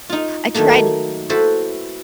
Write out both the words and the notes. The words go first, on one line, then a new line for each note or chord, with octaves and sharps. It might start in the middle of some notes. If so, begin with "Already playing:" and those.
I tried t
D#4 F4
D#3 F#3 A3 A#3
E4 F#4 A4 B4 C5 E5